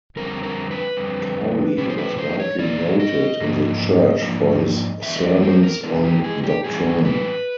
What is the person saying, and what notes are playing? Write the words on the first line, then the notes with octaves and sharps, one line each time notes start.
Cowley was widely noted in the church for his sermons on doctrine.
F2 D3 G3 C4 A#4
A#4
B4
F2 D3 G3 C4
A#2 F3 G#3 B4
C5
B4
C5
C#5
A#2 F3 G#3 D5
D#5
G#2 F3 A#3 D4
G#2 F3 A#3 D4
E3 G#3 B3 D4 E5
D#5
D5
C5
A#4
E3 G#3 B3 D4
G4
G#4
G4
A2 E3 G3 C4 G#4
B4